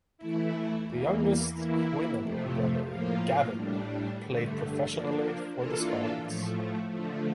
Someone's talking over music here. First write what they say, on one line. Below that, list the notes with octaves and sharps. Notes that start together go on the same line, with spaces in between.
The youngest Quinnell brother, Gavin, played professionally for the Scarlets.
E3 A3 E4
E2 E3 A#3
E3 A#3 E4
F2 C3 F3 A3
A2 F3 A#3 F4
A2 G3 D4
G2 D3 A3
F3 A#3 D4
E3 A#3 D4 F4 A4
A2 F3 A3
D3 F3 A3